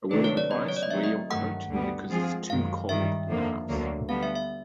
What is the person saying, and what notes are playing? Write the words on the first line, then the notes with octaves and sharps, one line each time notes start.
A word of advice, wear your coat because it's too cold in the house.
C3 D#3 F#3 A3 D4 B4
C#5
D5
C#3 F#3 B3 D#5
C#5
D5
D#5
D#3 F#3 A3 C4 D#4 E5
D#5
G2 D#3 F#3 A3 F#5
D2 D3 G3 B3
F3 G#3 C4 F4 G#4
F#2 D#3 G#3 F5
G2 D#3 G3 E5
F2 D3 F3 A#3
D2 D3 F#3 A#3
D3 G3 B3 F5
E5
E5